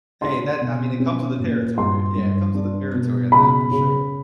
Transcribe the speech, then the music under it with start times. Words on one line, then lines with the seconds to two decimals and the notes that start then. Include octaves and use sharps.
Hey, that I mean, it comes with the territory. Yeah, it comes with the territory of that for sure.
0.22 D4 C6
0.61 B2
1.00 C#4
1.39 A#2
1.77 G2 C6
2.16 G2
2.54 D4
2.94 B2
3.32 C#3 B5
3.71 C#3